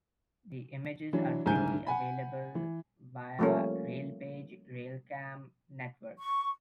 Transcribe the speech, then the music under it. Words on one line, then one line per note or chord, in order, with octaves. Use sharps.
The images are freely available via Railpage Railcam Network.
E3 F#3 D4
F#1 C2 G#2 D3 G#5 G6
F#5 G#5 B5
E3
F3 G3 A3 A#3 C#4
C#6